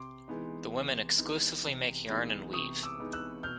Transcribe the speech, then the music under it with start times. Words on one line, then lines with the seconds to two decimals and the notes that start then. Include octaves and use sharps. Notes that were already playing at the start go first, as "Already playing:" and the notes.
The women exclusively make yarn and weave.
Already playing: C3 C6 D6
0.28 E3 G#3 B3 D#4
0.73 C3
1.18 E3 G#3 B3 D#4
1.63 C3
2.09 E3 G#3 B3 D#4
2.53 C3 C#6 D#6
2.83 D6 E6
2.99 E3 G#3 B3 D#4
3.13 E6 F#6
3.43 B2 F6 G6